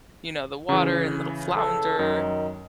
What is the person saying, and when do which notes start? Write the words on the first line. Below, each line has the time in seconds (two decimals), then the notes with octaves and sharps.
you know, the water and little Flounder,
0.69 C#3 E3
1.57 A4
1.99 F#2 D#3